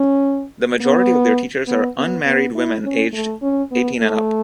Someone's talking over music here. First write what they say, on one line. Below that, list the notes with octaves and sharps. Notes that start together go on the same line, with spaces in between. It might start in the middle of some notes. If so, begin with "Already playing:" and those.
The majority of their teachers are unmarried women aged eighteen and up.
Already playing: C#4
B3
B3
B3
B3
E4
C#4
A3
C#4
B3
A3